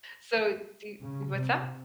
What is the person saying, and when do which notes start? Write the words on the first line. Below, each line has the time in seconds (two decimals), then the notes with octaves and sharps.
So do what's that?
1.02 C#3
1.36 C3